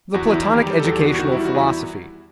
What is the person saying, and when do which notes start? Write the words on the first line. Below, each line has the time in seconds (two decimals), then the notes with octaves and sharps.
The Platonic Educational Philosophy.
0.14 E2 F#4
0.27 E4
0.32 E2
0.41 E4
0.49 D#3 G4
0.66 G3 G4
0.79 E2 A4
0.93 G4
1.01 E2 F#4
1.19 D#3 F#4
1.32 G3 E4
1.45 F#4
1.55 E2 E4